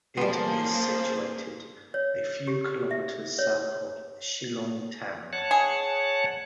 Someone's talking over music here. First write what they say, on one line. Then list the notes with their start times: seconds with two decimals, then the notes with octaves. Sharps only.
It is situated a few kilometers south of Shillong town.
0.18 G3 A#3 B3 C#4 G#4 C5 A5
1.94 C#5
2.47 G4
2.91 E5
3.39 C#5
5.33 C#5 F#5 A5
5.51 G#4